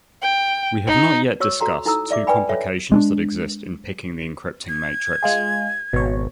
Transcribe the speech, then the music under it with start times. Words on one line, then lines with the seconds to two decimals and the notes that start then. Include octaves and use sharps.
We have not yet discussed two complications that exist in picking the encrypting matrix.
0.22 G5
0.87 D#4
1.40 F#4 C#5 C#6 E6
1.61 F#4 A4 A#5 C6
1.86 D#4 E4 A4 A#5 D#6 E6
2.11 D5 E5 D6
2.27 B4 D5 G5 G#5 B5
2.49 A4 C#5 E5
2.92 G#3 C#4 D4
4.69 G#6
5.23 G#3 F4 G#4
5.93 G#1 B2 C#5